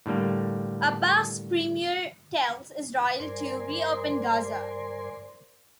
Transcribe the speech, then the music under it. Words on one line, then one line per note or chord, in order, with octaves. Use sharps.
Abbas's Premier Tells Israel to Reopen Gaza.
A2 D3 G3 A#3
G2 A#4 C5 D5 G#5 C6